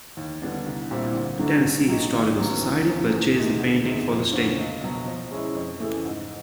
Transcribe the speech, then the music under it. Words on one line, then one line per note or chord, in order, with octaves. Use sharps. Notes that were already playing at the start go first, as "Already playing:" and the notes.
The Tennessee Historical Society purchased the painting for the state.
D#2
D3 G3 B3 D4
C2
A#2 G3 C4 E4
D2
D3 F#3 A3 D4
C#3
F#3 A#3 D#4 G4
D#2
C#3 F#3 B3
E2
C#3 F3
E2
C3 D#3 G#3
D2
C3 D#3 G#3
F2
D3 F3 A#3 C#4
C#2
B2 F#3
F3
G#3 C#4 E4
F2
C#3 E3 A3
G#2